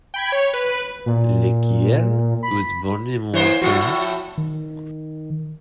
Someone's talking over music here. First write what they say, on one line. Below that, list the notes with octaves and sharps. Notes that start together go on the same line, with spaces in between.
L’Ecuyer was born in Montreal.
G5 B5 G#6
C#5
B4
A#2
B5
E3 A#3 C5 C#5
A2 F3 E4 F#4
D#3